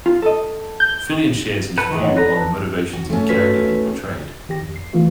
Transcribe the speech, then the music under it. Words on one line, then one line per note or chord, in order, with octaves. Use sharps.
Fillion shares his view on the motivations of the character he portrayed.
F4
A4 D#5
G6
A4 B4 F#5
D#3 E3 G#3
C#5 D#5 F#5
A4 B4 D5 A#5 A#6
A5
F#4
A3 C#4
F#4 B4 B6
D#3 G4 A#6
F2
C7
E3 A3 F4 F#4